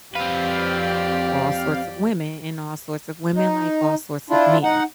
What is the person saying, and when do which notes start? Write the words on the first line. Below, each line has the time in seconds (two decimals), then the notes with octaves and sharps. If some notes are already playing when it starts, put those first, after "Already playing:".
all sorts of women and all sorts of women like all sorts of men,
0.15 F2 C4 G4 B4 D5 F5
3.35 D#4
4.30 D4 E4 F4
4.63 D#4 F#5